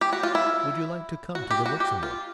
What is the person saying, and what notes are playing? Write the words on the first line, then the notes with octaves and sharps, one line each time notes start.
"Would you like to come to the Luxembourg?"
G4
F#4
F4
E4
F#4
G4
F#4
G4
F4